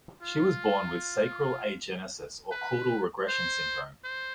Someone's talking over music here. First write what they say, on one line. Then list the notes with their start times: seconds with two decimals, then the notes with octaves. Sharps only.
She was born with sacral agenesis or caudal regression syndrome.
0.22 F4
2.51 B4
3.28 C5
4.04 C5